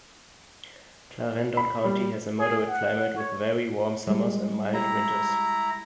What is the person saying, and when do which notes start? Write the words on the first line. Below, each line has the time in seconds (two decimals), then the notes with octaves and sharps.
Clarendon County has a moderate climate with very warm summers and mild winters.
1.57 B5
1.84 G3
2.39 G#4
2.68 F#5
3.16 C#5
4.07 G3 G#3
4.74 E4 G4 A#5